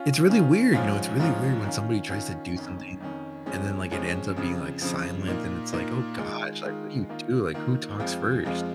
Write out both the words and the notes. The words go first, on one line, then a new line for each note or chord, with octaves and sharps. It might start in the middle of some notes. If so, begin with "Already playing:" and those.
it's really weird, you know, it's really weird when somebody tries to do something, and then, like, it ends up being, like, silent. And it's like, "Oh gosh." Like, what do you do? Like, who talks first?
Already playing: C#4 F4
D#3 C#4 F4
G#2 F3 C#4 F4
G#2 F3 C#4 F4
D#3 C#4 F4
D#3 C#4 F4
F2 D#3 C#4
F2 D#3 C#4
F2 F3 G#3 C#4
F2 F3 G#3 C#4
F2 C#3 F3
F2 C#3 F3
A#2 A#3 D#4
A#2 A#3 D#4
D#3 G#3 F4
D#3 G#3 F4
D#3 A#3 F4
D#3 A#3 F4
F2 F3 G#3 F4
F2 F3 G#3 F4